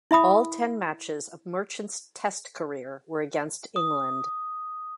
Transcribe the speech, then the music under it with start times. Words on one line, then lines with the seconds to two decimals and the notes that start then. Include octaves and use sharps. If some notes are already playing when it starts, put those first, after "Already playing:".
All ten matches of Merchant's Test career were against England.
0.11 E4 E5 B5 D#6
3.76 D#6